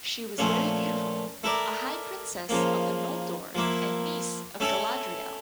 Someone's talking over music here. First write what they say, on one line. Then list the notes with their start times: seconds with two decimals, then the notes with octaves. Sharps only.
She was very beautiful, a high princess of the Noldor and niece of Galadriel.
0.38 A#2 F3 A3 C#4
1.44 A3 E4 A#4 D5
2.49 C#3 F3 A#3
3.55 F3 A#3 E4
4.60 A3 C#4 E4 A4